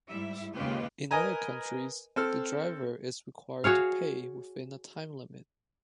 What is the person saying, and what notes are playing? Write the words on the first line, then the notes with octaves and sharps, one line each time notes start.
In other countries, the driver is required to pay within a time limit.
G#2 G3 E4 E5
D#2 C#3 G#3 F4 G4 B4
A#4 B4 D#5 G#5 A#5
C4 A4 F6
F#4 G#4 C#5 F5